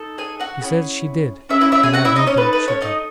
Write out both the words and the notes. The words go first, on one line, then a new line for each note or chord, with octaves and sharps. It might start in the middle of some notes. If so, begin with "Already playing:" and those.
She said she did, and I have no doubt she did.
Already playing: D#4 A4
G#4 G#5
F#4 F#5
C#4 E4 G#4
C#4 E4 G#4 E5
E4 E5
E4 E5
G#4 G#5
F#4 F#5
E4 E5
D#4 D#5
C#4 C#5
D#4 A4 B4
B4
C#4 C#5
D#4 D#5